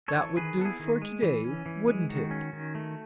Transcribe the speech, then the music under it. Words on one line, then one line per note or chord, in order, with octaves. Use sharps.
That would do for to-day, wouldn't it?
A4 C#5
E3
D#3 G#4 B4
B3 A4
E4 G#4
D#3
G#3
E3
C#4
E3
G#3
D#3 F#4
C#4
D#3
A3